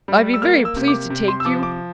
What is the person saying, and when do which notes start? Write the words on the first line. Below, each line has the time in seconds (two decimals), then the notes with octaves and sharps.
"I'll be very pleased to take you."
0.08 G3
0.34 E6
0.42 A#3 F6
0.65 E6
0.76 C3
0.88 D6
1.10 C3
1.28 C6
1.40 E6
1.45 F3 D6
1.63 D6